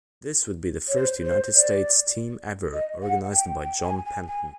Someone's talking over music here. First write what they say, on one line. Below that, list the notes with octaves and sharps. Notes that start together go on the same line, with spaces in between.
This would be the first United States team ever, organized by John Penton.
C#5
C5
C5
D5
D#5
F#5
G5
G5
G#5
G#5
G#5